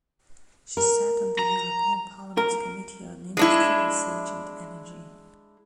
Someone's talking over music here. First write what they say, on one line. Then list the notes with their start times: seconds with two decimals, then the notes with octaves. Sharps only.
She sat on the European Parliament's Committee on Industry, Research and Energy.
0.77 A#4
1.39 A#5
2.37 A#4
3.37 G#3 D4 E4